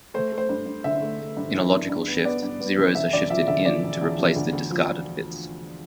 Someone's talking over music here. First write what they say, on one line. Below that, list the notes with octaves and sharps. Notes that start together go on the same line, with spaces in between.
In a "logical shift", zeros are shifted in to replace the discarded bits.
A3 C5
A3
C5
G2
G2
D3 E5
A3
A3
G2
E3
D4
G2
B3
B3 D5
G2
B3
E3
E1 E5
D2 D5
F3 E5
D3 E5
F3 D5
E1
E1
F3
D2
D2
F3